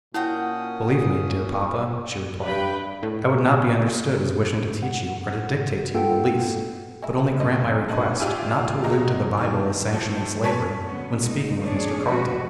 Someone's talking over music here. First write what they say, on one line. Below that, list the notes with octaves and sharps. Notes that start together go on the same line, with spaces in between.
"Believe me, dear papa," she replied, "I would not be understood as wishing to teach you, or to dictate to you in the least; but only grant my request, not to allude to the Bible as sanctioning slavery, when speaking with Mr. Carlton."
A#2 C#4 E4 F#4 F#5 G5 D#6
G2 B4 G5 B5
A2
F#5
A#3 F4 A4 F#5 G5
G#3 E4
F#2 A2 D#5
D4 D#4 G#5
F4 G4 D5 E5 G#5
E2 G#3 D#5 A#5
D#3
A2 F3
B4 C#5 G#5 A5 C#6 B6
D2 B3 C#4
G#3 D#4
F2 A2 D4 G#4 C#5 D5
C3 F3 G#3 F#4 B4